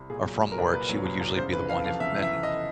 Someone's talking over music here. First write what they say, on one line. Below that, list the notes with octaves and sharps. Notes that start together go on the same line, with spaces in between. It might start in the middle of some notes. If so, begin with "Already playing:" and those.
or from work, she would usually be the one, if men
Already playing: C2
A#2 G#4
F#3
C2
A#4
C2
A#2 B4
F#3
C2
C2
C#3 C5
E3 B4
F2 F5
F2 F5
C#3 E5
E3
E5
F2
D#5